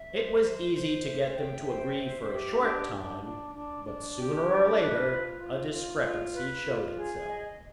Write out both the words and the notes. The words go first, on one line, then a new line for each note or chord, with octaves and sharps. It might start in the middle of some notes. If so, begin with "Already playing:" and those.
It was easy to get them to agree for a short time, but sooner or later a discrepancy showed itself.
Already playing: E5
C5
C5
C5
E5
G5
C5
E5
G4
D4
D4
D4
D4
D4
G4
D4
B4
F4
F4
F4
F4
B4
F4
G#4
D#5